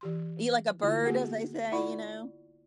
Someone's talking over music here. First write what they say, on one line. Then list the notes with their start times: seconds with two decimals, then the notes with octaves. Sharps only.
Eat like a bird, as they say, you know?
0.01 E3 G4 C6
0.81 D3 A3 E4 F4
1.05 A#3 B3 F#4 G#4 A4 F#5
1.72 E4 F4 D5 F#5 B5 C#6